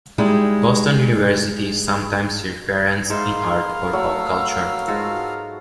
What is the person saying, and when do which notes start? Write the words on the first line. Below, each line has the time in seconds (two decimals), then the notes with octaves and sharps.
Boston University is sometimes referenced in art or pop culture.
0.18 G3 G#3 D#4 E4
3.10 G#2 B3 D#4 A#4 E5 F5 C6
3.93 F#3 A3 E6
4.88 G#2 F4 F#4